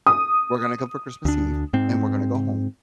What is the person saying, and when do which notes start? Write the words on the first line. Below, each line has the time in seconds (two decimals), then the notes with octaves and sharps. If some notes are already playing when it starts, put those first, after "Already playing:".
we're gonna come for Christmas Eve, and we're gonna go home,
0.06 D#6
1.25 D2 D4
1.73 G#2 C4